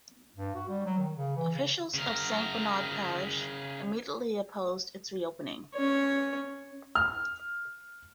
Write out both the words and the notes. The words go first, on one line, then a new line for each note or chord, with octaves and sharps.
Officials of Saint Bernard Parish immediately opposed its reopening.
G2
F#4
G3
F#3
D#3
C#3
E3
C#3
C#3 A#4
C#4 C#5
F6